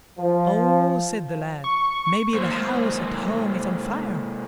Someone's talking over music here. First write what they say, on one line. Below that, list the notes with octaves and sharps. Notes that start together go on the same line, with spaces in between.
'Oh', said the lad, 'maybe the house at home is on fire!'
F3
C#6
G#2 A#3 C5